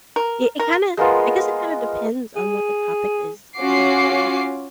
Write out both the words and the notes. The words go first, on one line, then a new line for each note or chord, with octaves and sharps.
It it kinda I guess it kinda depends on what the topic is exactly.
A#4
A#4
G#3 A#3 B3 F4
G#4
C#4 F4 F#4 D6 C7